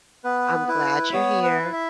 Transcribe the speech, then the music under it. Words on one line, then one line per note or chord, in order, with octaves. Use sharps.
I'm glad you're here.
B3 B4
E4 B4
E5
B3 C#5
B4
E4
E5